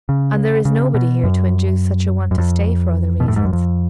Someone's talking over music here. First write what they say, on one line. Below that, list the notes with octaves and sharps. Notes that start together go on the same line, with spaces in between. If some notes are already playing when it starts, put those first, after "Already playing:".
And there is nobody here to induce such a one to stay for other reasons.
C#3
C#3
B2
F#2
F#2
F2
B2
A2
G#2
F#2
F2